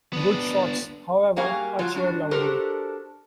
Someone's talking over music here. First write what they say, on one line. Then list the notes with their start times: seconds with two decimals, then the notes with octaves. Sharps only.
Good shots, however, are cheered loudly.
0.13 B3 D4
1.36 G3 A#3 F#4 G#4 F5 G#5
1.79 F3 F#3 F4
1.95 G3 D4 F#4
2.31 D4 F#4 G4 A4 A#4 C5